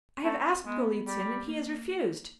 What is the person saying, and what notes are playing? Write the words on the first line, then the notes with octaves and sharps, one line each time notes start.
I have asked Golitsyn and he has refused.
A3 C4
G#3 B3
G3
A#3